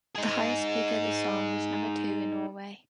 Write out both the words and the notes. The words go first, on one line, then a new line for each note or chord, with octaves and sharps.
The highest peak of the song was number two in Norway.
D#4 G#4